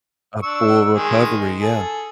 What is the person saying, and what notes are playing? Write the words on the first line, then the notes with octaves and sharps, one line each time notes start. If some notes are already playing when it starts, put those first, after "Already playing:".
A full recovery, yeah.
D4 C#6 E6
D#3 G#3 G#4
G#4 A4